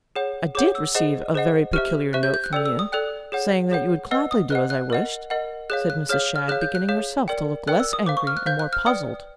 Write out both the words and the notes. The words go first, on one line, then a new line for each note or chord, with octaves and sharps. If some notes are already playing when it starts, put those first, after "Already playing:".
"I did receive a very peculiar note from you saying that you would gladly do as I wished," said Mrs. Shadd, beginning herself to look less angry and more puzzled.
G#4 C#5 F#5
G#4 C#5 F#5 D6
E6
G#4 C5 D#5 F#5
G#4 C5 D#5 F#5
G4 C5 E5 F6
G4 C5 E5 F#6
G6
G6
F#6
A4 D5 G5 E6
E6
D#6
A4 D5 G5 F#6
G#4 C#5 F#5
G#4 C#5 F#5
B4 D#5 F#5 E6
D#6
B4 D#5 F#5 F#6
F#6
A#4 D#5 F#5
A#4 D#5 F#5
G#4 C#5 F5 F#6
F#6
G#4 C#5 F5 F6
F6
G#4 C#5 F5 F#6
G6
F#6
G#4 C#5 F5
A#4 D5 G5
A#4 D5 G5 F#6
E6
D#6
C5 F5 D6
C#6
F6
F#6
C5 F5 G6
F#6
F6
B4 D5 G5 D#6